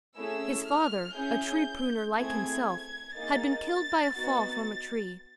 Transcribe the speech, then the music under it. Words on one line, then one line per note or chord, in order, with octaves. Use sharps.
His father, a tree-pruner, like himself, had been killed by a fall from a tree.
A3 C#4 E4 G#4 E6
F6
C#4 E4 G#4 G6
A3 C4 E4 G#4 G#6
G#6
A#3 D#4 G#4 A6
A6
B3 D#4 F#4